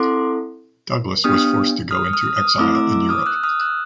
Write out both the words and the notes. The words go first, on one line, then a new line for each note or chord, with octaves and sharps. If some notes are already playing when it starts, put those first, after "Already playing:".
Douglas was forced to go into exile in Europe.
Already playing: C4 E4 A4 C6 D6
B3 D4 G4 D#6 F6
D#6 F6
D#6 F6
D#6 F6
A3 C4 E4 D6 E6
D6 E6
D6 E6
D#6 F6
E6 F#6
D#6 F6
E6 F#6